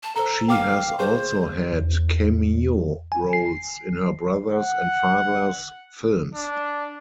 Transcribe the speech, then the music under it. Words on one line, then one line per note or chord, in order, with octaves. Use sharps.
She has also had cameo roles in her brothers' and father's films.
A5
A4 C5 A#5
F5 G5 D6 F6
G#4 C5 C6
E2
G#5
C7
F#5
D4